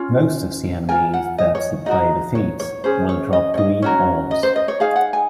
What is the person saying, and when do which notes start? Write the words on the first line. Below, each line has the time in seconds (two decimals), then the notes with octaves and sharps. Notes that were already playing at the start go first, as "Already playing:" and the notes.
Most of the enemies that the player defeats will drop green orbs.
Already playing: C#4 F4
0.89 F4 A#4 G#5
1.14 F#5
1.38 D#5
1.55 C#5
1.86 D#4 F#4 A#4 D#5
2.35 C#5
2.60 C#5
2.84 C#4 G#4 C5
3.09 C#5
3.33 D#5
3.54 C#5
3.58 D#5
3.82 C#4 F#4 A#4 C#5
4.31 D#5
4.43 C5
4.56 D#5
4.68 C#5
4.80 D#4 G#4 F5
4.96 F#5
5.13 G#5